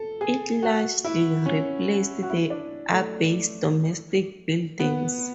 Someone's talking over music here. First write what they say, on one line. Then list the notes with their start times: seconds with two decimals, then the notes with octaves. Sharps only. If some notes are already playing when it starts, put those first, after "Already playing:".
It largely replaced the abbey's domestic buildings.
Already playing: A4
0.21 G#4
0.63 F#4
1.05 E4
1.46 C#4
2.23 F#4
2.30 E4
2.50 D4
2.92 A3
4.80 B3